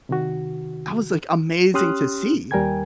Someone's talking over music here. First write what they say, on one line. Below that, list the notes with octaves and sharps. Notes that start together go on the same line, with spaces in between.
That was, like, amazing to see.
C3 D#3 F#4
C#4 G4 C6 D#6 F6 F#6
D#2 G3 A#4 G5 G#5 G#6